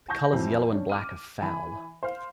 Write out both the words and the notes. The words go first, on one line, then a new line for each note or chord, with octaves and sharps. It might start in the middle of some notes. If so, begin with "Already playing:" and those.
The colours yellow and black are foul.
G#5 A5 C#6 G6 A#6
F2 E3 F#3 C4
C#4 D4
D6 F6 D#7
E3 G#5 B5
C5 F5